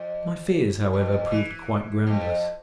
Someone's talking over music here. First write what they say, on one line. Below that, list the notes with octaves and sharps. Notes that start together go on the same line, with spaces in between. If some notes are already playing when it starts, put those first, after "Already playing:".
My fears, however, proved quite groundless.
Already playing: F2
F2
E3
F2